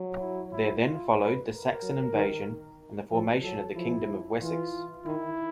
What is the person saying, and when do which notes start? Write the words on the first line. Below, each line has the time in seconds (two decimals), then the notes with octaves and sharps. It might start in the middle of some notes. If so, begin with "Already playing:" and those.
There then followed the Saxon invasion and the formation of the Kingdom of Wessex.
Already playing: F#3
0.19 E4
0.52 E4
0.85 F4
1.17 B4
1.49 A#4
1.82 F#3
2.13 D#3
3.11 F3 A4
3.43 F#3 A4
3.76 F3 E4
4.41 E3 F4
5.05 D#3 E4